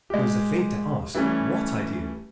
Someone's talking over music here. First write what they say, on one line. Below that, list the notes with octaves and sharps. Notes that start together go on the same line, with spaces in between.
He was afraid to ask what idea.
G#3 G4
E3 G3 A3 C#4